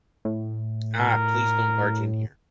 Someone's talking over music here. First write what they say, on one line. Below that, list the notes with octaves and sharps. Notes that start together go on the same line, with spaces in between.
Ah! Please, don’t barge in here! ...
A2
A#4